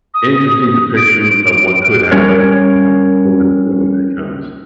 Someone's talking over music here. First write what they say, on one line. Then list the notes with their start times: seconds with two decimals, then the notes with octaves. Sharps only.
interesting depiction of what could happen, you know, w when when it comes.
0.14 D#6
0.96 D7
2.12 G3 C#4 A#4 C#5